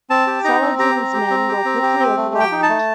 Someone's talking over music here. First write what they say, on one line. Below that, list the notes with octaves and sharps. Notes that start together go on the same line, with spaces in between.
Saladin's men were quickly overwhelmed.
C4 A5
G4
D#4 A#5
C4
G4 A#5
C4
G4
C4
G4
C4
G4
C4
A3
G4
G5
D#4
A5
A3